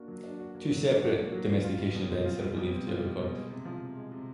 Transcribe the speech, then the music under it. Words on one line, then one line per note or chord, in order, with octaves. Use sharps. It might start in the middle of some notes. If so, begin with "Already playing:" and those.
Two separate domestication events are believed to have occurred.
Already playing: A#3 D4 F#4
F#3
D4
F#4
A#3
F#3
D4
F#4
A#3
F#3
C4
F4
G3
B2
C4
F4
G3
B2
C4
F4
G3
B2
G#3
C3
F3
C3
G#3
C3